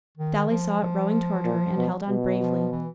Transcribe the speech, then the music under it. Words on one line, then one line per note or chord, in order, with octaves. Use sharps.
Dolly saw it rowing toward her, and held on bravely.
D#3
F3
F3
A#2
B2
B2
F3
E3